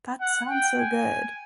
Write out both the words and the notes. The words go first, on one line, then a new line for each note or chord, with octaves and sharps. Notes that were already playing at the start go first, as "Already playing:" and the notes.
That sounds so good.
F#5
G5
G#5